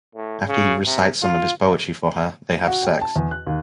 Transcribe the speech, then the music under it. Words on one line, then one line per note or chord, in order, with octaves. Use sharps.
After he recites some of his poetry for her, they have sex.
A2
C#3
C3
F4
F#4
G5
A5
E2
F#6
D#2